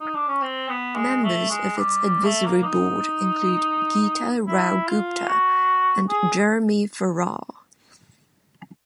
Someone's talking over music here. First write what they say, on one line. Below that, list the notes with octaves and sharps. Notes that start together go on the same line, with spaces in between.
Members of its advisory board include Geeta Rao Gupta and Jeremy Farrar.
D#4
D4
C#4
C4
B3
G#3
A3
G#3
G3
G3
A3
A#3
D#4
E4
F4
F#4
G#4